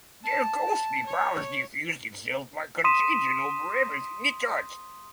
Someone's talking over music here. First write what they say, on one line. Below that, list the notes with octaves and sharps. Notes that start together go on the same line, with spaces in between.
Their ghostly power diffused itself by contagion over everything it touched.
A5
C#5
C6 D#6 B6 D#7 E7